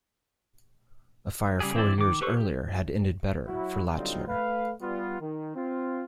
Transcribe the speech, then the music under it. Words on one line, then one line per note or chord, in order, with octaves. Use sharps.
A fire four years earlier had ended better for Lattner.
C#3 G3 G4 G#4
E3 C4 E4 C5 D5
D#3 D6
G4 A4 B4 C5 C#6
G4
F#3 E4 F#4
D3 F#3 G3 C4 D#4 F4
A3 B4 F5
G3 B3 F4
D#3
C4 F4